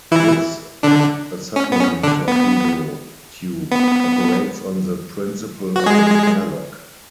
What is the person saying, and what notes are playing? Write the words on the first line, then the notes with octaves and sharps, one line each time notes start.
Thus a submarine torpedo tube operates on the principle of an airlock.
E3 E4
D3 D4
C#4
B3
C#4
D3 D4
B3
B3
F#4
G#3 G#4